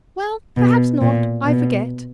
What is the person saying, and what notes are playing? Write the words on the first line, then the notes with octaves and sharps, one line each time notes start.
'Well, perhaps not--I forget.
B2
A#2
B2